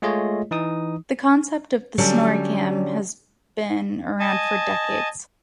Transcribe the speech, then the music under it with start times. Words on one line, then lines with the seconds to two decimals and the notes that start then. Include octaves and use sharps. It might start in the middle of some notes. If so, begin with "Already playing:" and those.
The concept of the SnorriCam has been around for decades.
0.02 G#3 A3 F4 G#4 C#5 D#5
0.51 E3 D#4 D#6
1.98 D3 F#3 G3 C#4
4.20 D#5 G#5 A5